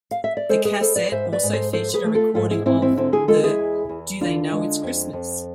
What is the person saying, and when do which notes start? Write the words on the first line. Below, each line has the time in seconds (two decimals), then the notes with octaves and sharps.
The cassette also featured a recording of the Do They Know It's Christmas?
0.11 F5
0.24 E5
0.37 D5
0.49 G#3 A4 C5
0.65 G#4 B4
0.81 B3 A4 C5
0.96 B4 D5
1.12 G#2 C5 E5
1.32 B4 D5
1.43 G#2
1.53 A4 C5
1.73 F3 A4 C5
1.94 G#4 B4
2.04 A3
2.15 F4 A4
2.35 G#2 F4 A4
2.51 E4 G#4
2.66 G#2 C4 E4
2.82 C4 E4
2.97 D3 C4 E4
3.12 E4 G#4
3.28 G#3 F4 A4
3.44 E4 G#4
3.59 E2
3.89 E2
4.21 D3 D4 F4
4.52 G#3
4.83 F2
5.13 F2